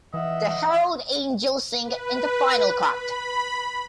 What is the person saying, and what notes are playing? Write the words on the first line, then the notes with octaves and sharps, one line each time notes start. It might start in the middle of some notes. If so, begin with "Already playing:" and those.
The Herald Angels Sing in the final cut.
E3 D#5 E5 F#5
B4
B5